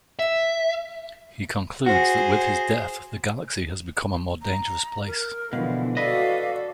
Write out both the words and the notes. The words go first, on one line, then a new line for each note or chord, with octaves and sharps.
He concludes that with his death, the galaxy has become a more dangerous place.
E5
F#4 G#4 C5
A#5
A#4
B2 D3 E3 F3 F5
F#4 A4 B4 D5 D#5 F5